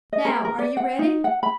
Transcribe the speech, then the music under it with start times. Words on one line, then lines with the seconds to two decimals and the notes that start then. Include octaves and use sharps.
Now are you ready?
0.13 D#5
0.25 A#4
0.45 A#4
0.59 D5
0.77 F#5
0.99 D#4
1.24 F#5
1.43 B5